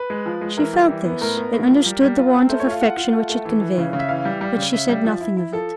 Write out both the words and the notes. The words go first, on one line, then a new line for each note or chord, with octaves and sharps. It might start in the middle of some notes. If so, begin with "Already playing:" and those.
She felt this, and understood the want of affection which it conveyed; but she said nothing of it.
Already playing: B4
G#3
F3
G#3
E3 A#4
G3
E3
B3
A2 A#4
B3
A2
F3
G3
G3
F4
C4
A3 C5
C#5
F4
F5
F4 F#5
F4
A3
A3
E3
E3
C#3
C#3
E5
E3 F5
G3
G3
C#3
C#3 E5
G3
F3
E4
E4
F3 A4